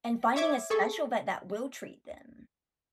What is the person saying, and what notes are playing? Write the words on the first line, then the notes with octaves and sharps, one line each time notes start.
And finding a special vet that will treat them.
C#5 E5 D6 G#6
G#4 A4 C#6